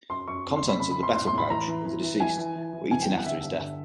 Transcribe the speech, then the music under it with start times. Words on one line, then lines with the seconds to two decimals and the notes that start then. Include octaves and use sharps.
The contents of the betel pouch of the deceased were eaten after his death.
0.09 F#2 C6
0.28 F#2 C#6
0.45 F2
0.56 C6
0.62 F2
0.68 B5
0.80 C#3 B5
0.91 B5
0.97 F2
1.03 C6
1.14 A2 C6
1.27 C6
1.33 A2 B5
1.50 E3 A#5
1.67 E3
1.85 E3
2.02 E3
2.20 E3 G#5
2.38 E3
2.55 E3
2.73 E3
2.91 E3 G#5
3.02 G5
3.09 E2
3.14 F#5
3.26 D3 E5
3.43 G2
3.61 D3